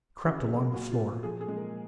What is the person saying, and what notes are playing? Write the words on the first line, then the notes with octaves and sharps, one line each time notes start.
I crept along the floor.
C#3 F#4
G#4
F#3
A#4
A#2 F#4
F4
A#2
F3 G#4
G#4
G#3
A#4